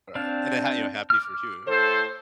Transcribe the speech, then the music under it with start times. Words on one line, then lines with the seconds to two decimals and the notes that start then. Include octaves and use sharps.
Right, and, uh, how you know, happy for who?
0.15 C4 D4 F5
1.10 D6 F6
1.67 A2 A4 C5